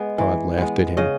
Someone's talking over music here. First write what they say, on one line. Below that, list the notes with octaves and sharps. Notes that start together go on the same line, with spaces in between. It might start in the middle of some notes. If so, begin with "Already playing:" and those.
Pod laughed at him.
Already playing: G#3 B3
E3
G#3 B3
C#3 D#5